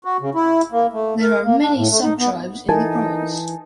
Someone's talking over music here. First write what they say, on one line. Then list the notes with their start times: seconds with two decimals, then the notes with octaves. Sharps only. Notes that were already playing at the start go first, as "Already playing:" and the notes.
There are many sub-tribes in the province.
0.05 F#4
0.21 C#3
0.35 E4
0.72 A#3
0.93 A3
1.22 A#4
1.45 A#3
1.61 D4
1.77 A2
1.90 A3
2.03 D#4
2.19 B3
2.69 E3 D#4 A4 A#4 G#5 A5